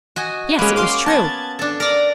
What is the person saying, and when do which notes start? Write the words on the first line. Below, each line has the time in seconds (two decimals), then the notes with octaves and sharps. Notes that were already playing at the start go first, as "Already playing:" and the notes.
Yes; it was true.
0.16 F#4 D#5 G#5
0.59 G#3 A#3 C#4 B4
0.76 F5 C6 D6
1.06 B3 A5 G#6 A6
1.59 D4 A4
1.80 A#4 D5 A#6